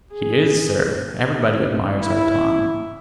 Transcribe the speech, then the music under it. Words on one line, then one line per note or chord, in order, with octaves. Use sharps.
"He is, sir; everybody admires our Tom."
G#4
E4